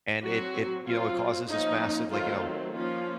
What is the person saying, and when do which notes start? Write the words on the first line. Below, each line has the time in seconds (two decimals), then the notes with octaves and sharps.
And it it you know, it causes this massive, like, you know,
0.22 F#3 C4 F#4
0.85 F#3 C4 F4
1.48 F3 A#3 C#4 D#4
2.11 D#3 F#3 A3 C4 F4
2.74 F3 A#3 C#4 F4